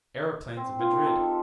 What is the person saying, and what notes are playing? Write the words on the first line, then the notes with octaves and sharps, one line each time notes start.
Aeroplanes at Madrid!
C4
F4
D#3
A4
G4